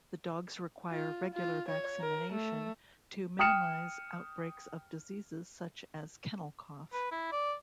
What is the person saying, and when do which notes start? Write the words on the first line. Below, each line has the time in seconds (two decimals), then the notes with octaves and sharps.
The dogs require regular vaccination to minimize outbreaks of diseases such as kennel cough.
0.91 F4
1.34 F4
1.69 C#5
2.01 A#4
2.33 A3
3.39 G5 D#6 F6 C#7 E7
6.93 B4
7.11 E4
7.32 D5